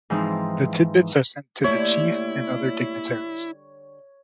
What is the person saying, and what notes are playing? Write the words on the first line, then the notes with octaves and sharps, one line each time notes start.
The tidbits are sent to the chief and the other dignitaries.
G#2 E3 F3 C4 D#4
D3 G3 A3 A#3 E4 C#5